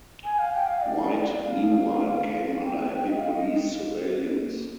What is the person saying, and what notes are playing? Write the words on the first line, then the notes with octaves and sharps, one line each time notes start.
White meanwhile came under heavy police surveillance.
G#5
F5
G5
F5
D5
F5
G5
G5
D#5
F5
D#5